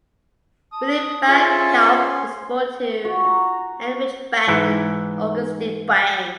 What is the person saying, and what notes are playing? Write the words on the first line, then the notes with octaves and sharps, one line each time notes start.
Willy Bang Kaup was born to Heinrich Bang and Auguste Bang.
A5 D#6
C#4 F4 G#4 A4 C5 E5 C6
F#4
A#5
G#2 E3 E4